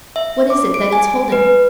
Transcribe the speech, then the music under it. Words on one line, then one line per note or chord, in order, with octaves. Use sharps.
"What is it that it's holding?"
E5
D6
D7
G#5
B4